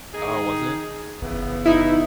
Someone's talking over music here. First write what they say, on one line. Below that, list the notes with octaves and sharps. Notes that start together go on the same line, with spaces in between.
Oh, was it?
D#3 D#4 G#4
F#1 C#3 E3 B3
D#4 E4